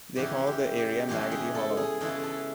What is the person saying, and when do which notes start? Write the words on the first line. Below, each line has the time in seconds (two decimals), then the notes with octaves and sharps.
They called the area Maggotty Hollow.
0.16 C#3 E3 G#3 B3 G4
0.47 G4
0.78 G4
1.08 C#3 E3 G#3 B3 G4
1.32 G#4
1.55 A4
1.77 G#4
2.01 C#3 E3 G#3 B3 A4
2.23 A4